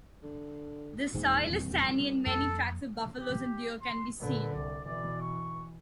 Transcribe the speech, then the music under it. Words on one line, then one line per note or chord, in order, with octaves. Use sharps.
The soil is sandy and many tracks of buffalo and deer can be seen.
D3
D#1 E2 G#2 A#3
C2
F2 A#3 A4
G4
C6
A#2 D3 B4
C2 D5
B2 E3 D5
C#6